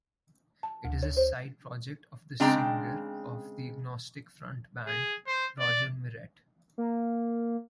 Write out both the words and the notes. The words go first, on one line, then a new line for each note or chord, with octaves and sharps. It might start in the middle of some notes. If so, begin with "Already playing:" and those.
It is a side project of the singer of the Agnostic Front band, Roger Miret.
A5
D2
C#5
C5
C#3 G#3 C4 D4 G5 A#5
G#4
C5
D5
A#3